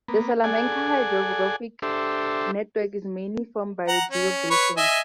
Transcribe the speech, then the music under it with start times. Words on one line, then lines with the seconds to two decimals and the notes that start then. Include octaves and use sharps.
The Salamanca hydrographic network is mainly formed by the Duero basin.
0.08 A#3 B3
0.44 G#4 A4 D5 F#5 G#5
1.82 D4 G4 A4 C5 E5
3.88 F#5 A#5
4.12 C#4
4.50 B4 C#5
4.77 D#5 E5 G#5